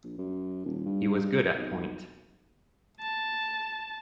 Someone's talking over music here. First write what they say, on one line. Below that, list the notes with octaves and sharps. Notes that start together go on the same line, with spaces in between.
He was good at point.
A#1
F#2
D#1
G2
B1
A5